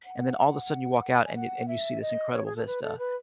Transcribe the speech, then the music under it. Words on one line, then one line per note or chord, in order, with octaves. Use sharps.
and then all of sudden you walk out and you and you see this incredible vista.
F#5
G#5
F#5
E5
D#5
C#5
G#4
A4
B4
A4
B4